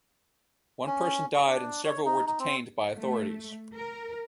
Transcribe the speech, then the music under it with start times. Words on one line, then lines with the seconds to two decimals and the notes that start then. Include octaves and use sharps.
One person died and several were detained by authorities.
0.86 C#4
1.35 C#6
1.47 D4
1.84 C#5
2.05 D#4
2.27 D#4
2.39 C4
2.97 A3
3.74 A#4